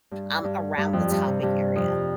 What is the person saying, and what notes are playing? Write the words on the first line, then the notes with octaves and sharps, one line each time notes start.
um, around the topic area.
G2
G2
G2
F2
G2
C3
G2
F2